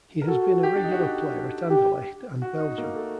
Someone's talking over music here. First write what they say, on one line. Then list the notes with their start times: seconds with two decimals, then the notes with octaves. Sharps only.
He has been a regular player at Anderlecht and Belgium.
0.22 A#4
0.28 F#4 A4
0.63 G4
0.75 D4
0.84 D#4
0.92 F#4
0.99 G4
1.71 G4
2.42 F#4
2.59 D#4
2.78 A#3
2.96 A3